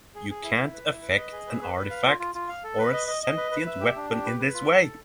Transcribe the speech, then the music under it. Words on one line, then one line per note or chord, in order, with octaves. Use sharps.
You can’t affect an artifact or a sentient weapon in this way.
G#4
G#4
E4
E4
B4
E4
B4
D#5
G#4
B4
B4
B4
F5
F4
F4
F4
F5
A4
B4
D#5
D#5
D#5
B4
B4
E5
G4
D4
G4
B4
B4
F4
A4
A4